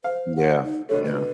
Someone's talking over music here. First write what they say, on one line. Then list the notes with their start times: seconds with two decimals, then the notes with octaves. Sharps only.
Yeah. Yeah.
0.04 C5 F5
0.36 F#5
0.64 D#4
0.89 B2 D3 A3 C#5
1.05 B4